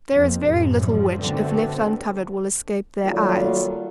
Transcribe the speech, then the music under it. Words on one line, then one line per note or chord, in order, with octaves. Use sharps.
There is very little which, if left uncovered, will escape their eyes.
F1 F2
F#2 A2 C3
F3 G3
B2 D3 A3 B3 C4
D#3 F#3 G3 A3 A#3 F4